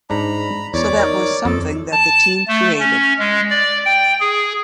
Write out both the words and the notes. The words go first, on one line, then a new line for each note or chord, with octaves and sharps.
So that was something that the team created.
G#2 D4 A#5 B5
E2 C#5 D5 D6
D#4 A#4
F2 A4 A5
A5
A3
C#4
G#3
D5
G5
G#4